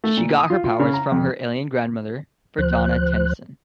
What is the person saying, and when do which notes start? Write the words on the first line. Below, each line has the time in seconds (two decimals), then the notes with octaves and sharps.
She got her powers from her alien grandmother, Verdona Tennyson.
0.04 A3
0.17 A#2
0.38 D#6
0.50 F4
0.64 F4
0.80 C#3
0.93 A#5
1.12 F2
2.58 D2 F3 C5 F#6